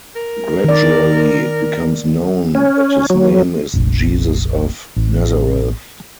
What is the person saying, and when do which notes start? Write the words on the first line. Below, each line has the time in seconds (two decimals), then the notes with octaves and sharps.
Gradually, it becomes known that his name is Jesus of Nazareth.
0.16 A#4
0.64 D#3 D5
2.55 C#4
3.10 F#3
3.74 F1 A#1
4.96 A1